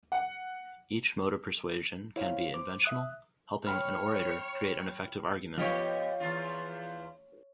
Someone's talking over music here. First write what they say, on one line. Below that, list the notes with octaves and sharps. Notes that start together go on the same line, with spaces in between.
Each mode of persuasion can be inventional, helping an orator create an effective argument.
F#5
E4 C5 C#5 F5
C5 D6
E5 D#6 F#6
C#5 G5 B5 F6
F3 B3 G4 C#5 D#5 F6
E2 F4